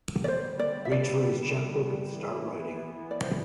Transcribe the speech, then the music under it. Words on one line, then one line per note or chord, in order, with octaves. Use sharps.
Reach for his cheque-book and start writing.
D5
D3 G3 B3 C5
D5
E5
D5
E3 B3
D5
C5